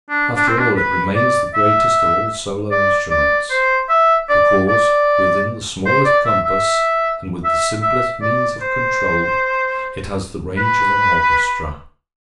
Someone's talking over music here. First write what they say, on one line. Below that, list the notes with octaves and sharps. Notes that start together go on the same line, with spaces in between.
After all, it remains the greatest of all solo instruments, because, within the smallest compass and with the simplest means of control, it has the range of an orchestra.
D4
D4
C4
D4
B4
D5
E5
D5
D5
C5
E5
D5
D5
C5
D5
E5
E5
E5
E5
D5
C5
B4